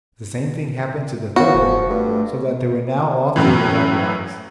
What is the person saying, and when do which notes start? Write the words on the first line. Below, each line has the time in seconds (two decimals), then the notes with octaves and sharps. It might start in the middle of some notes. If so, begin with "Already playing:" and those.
The same thing happened to the third rogue, so that they were now all three without wives.
1.36 C#3 B3 F#4
1.54 F1 F3
1.90 G2 A3
3.36 F#2 A2 E3